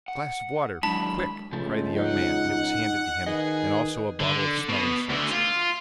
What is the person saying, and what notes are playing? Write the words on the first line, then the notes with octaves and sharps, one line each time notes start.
"A glass of water, quick!" cried the young man, and it was handed to him, and also a bottle of smelling salts.
F#5
D#2 F#3 G#3 D4 E4 A5 B5
C#2 C#3 F3 A3
D#4 F#5
D#3 G#4 B4 D#5
D3
B2
D2 D3
F4